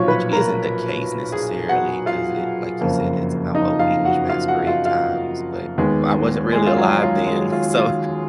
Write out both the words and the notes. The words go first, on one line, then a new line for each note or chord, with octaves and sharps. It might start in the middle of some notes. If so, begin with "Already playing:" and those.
which isn't the case necessarily, 'cause it like you said, it's about Old English masquerade times, but I wasn't really alive then, so,
Already playing: B1 A#2 F3 C#5 C#6
B4 B5
A#4 A#5
G#4 G#5
F#4 F#5
F4 F5
F#1 F2 F3 A#3
D#4 D#5
F4 F5
F#4 F#5
F4 F5
F#4 F#5
F4 F5
F4 F5
D#2 D#3 G#3 B3
G#3 G#4
F4
F#3 F#4
F4
G#3 G#4
F4
F4